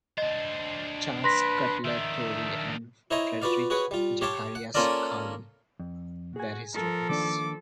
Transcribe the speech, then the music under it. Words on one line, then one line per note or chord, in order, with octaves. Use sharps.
Charles Cutler Torrey and Friedrich Zacharias Schwally were his students.
D4 C5 D#5
B4 C6 A#6 B6
D#3 D4 E5
E4 C5 C#5 D#5 A#5 C6
F4 F#4 B4 D5 F5
F#4 G#4 B4 C#5 F#5
G3 F4
G4 C#5 F5 A5 C6 D6
F#5
A#3 C#4 F4 A4 A#4 D5
F2
F#4 G#4 G#5
F3 A4 A#4
D#3 A#3 D4 D6